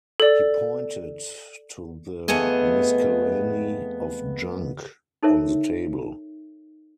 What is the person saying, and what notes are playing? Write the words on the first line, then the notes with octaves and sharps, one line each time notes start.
He pointed to the miscellany of junk on the table.
A4 D5
F2 A3 B3 G#4 D#5
D#4 A4 A#4 C#5 E5